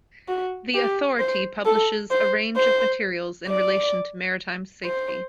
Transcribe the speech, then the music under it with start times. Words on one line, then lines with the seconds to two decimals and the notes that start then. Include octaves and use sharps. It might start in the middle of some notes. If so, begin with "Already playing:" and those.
The Authority publishes a range of materials in relation to maritime safety.
0.28 F#4
0.74 G4
1.20 C5
1.66 A4
2.11 C5
2.57 C5
3.48 D5
4.85 C5